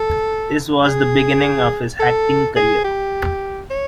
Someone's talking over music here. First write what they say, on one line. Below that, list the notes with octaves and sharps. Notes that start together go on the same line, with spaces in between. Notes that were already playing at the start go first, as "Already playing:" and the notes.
This was the beginning of his acting career.
Already playing: A4
G#4
A4
G#4
G4
C#5